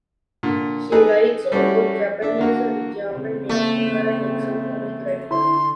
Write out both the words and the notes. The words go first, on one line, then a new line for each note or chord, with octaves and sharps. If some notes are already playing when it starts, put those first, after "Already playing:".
She writes in both Japanese and German, making her an exophonic writer.
A#2 D3
D#4 G#4 A4 B4
G3 A3 C#4 E4 F#4
D4 E5
D3 A#3 F#4
C#3 C4
A3 A#3
D3 E4 C6